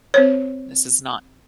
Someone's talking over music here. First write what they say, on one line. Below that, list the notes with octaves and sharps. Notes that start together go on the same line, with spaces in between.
This is not
C4 C5 C#5